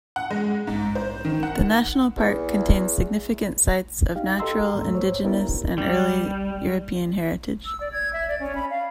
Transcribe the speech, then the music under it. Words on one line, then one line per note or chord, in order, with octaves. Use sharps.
The national park contains significant sites of natural, indigenous and early European heritage.
F#5
G#3
G#2
C5
D#3
F#5
E2
D#4 G4 F5
G4 A4 D#5 A#5 C6 E6
D#2 G#2 A3
C5 C#5
B3 D4 E4 G4 A#4
G3
E6
D5
G#6
E5
D5
C#4
B5
F5